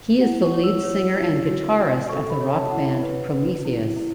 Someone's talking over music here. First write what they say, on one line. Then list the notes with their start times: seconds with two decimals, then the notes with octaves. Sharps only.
He is the lead singer and guitarist of the rock band "Prometheus".
0.21 E4 F#5
0.42 C#6
0.53 C#5
0.63 E6
0.84 C#5
1.16 E4
1.47 F#4
1.77 F#4
2.09 A4 C#6
2.30 B5
2.41 C#5
2.51 A5
2.71 E4 F#5
3.03 B4
3.34 B4
3.65 E4
3.96 E4